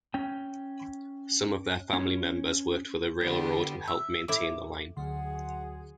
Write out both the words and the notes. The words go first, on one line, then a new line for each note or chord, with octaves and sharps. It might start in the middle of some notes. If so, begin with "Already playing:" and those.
Some of their family members worked for the railroad and helped maintain the line.
C#4 G5
C#4
D3 G3 B3
E5
A2 E4 D6
D2 D3 F#3 A3 G#4 F#5 C6